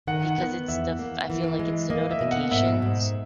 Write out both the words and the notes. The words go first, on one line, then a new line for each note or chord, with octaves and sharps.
because it's the f I feel like it's the notifications
D#3 F#5
B3
E2 E5
A#3
E3
G#3
A#3 D#5
E5
B2
F#5
G#2 E5
G#2